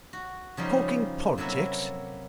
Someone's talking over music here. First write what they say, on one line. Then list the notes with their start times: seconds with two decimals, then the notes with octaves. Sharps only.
"Talking politics?"
0.13 F#4
0.57 C#3 F3 G3 D#4
1.38 C3 F#3 A#3 E4 A4